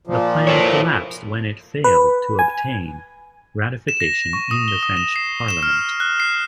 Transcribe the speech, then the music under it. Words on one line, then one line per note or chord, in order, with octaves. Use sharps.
The plan collapsed when it failed to obtain ratification in the French Parliament.
A#2 F3
A4 C#5
B4
G#5
E7
A#6
C#6
D#6
G7
D#6
E7
C7
E7
F6
F#6
C7